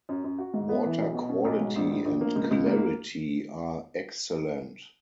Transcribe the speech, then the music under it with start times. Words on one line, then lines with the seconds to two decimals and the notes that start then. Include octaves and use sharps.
Water quality and clarity are excellent.
0.09 F#2
0.24 F#2
0.38 F#4
0.54 G#2
0.69 B3
0.85 E3
0.99 B1
1.14 B2
1.29 C#4
1.45 B1
1.61 G#2
1.76 A#1
1.91 A#1
2.05 A#1
2.21 A#3
2.36 C#2
2.51 C#2
2.66 A#3